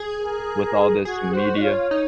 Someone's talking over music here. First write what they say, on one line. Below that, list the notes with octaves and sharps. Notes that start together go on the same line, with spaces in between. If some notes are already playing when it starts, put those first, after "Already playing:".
with all this media.
Already playing: G#4
A#4
F#4 G#4
F#4 C5
D#5
F4 C#5
D#4